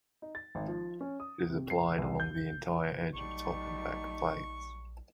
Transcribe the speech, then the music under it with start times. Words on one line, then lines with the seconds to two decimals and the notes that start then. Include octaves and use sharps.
It is applied along the entire edge of top and back plates.
0.22 D#4
0.35 A6
0.55 G#1
0.68 F3
1.01 C#4
1.20 D#6
1.50 C3
1.70 C7
1.98 C2
2.20 G6
3.14 A#1 F#3 G3 A3 D#4 C#6